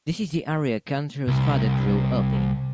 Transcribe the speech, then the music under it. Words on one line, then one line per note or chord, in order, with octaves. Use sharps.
This is the area Cantrell's father grew up in.
C2